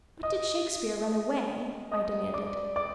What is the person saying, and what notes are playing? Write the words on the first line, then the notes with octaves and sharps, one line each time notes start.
"But did Shakespeare run away?" I demanded.
D#5 D#6
D#5 D#6
D5 D6
D5 D6